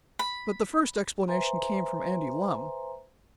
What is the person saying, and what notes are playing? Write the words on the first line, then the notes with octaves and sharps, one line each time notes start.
But the first explanation came from Andy Lumm.
B5
B4 C5 E5 G#5 A#5 C6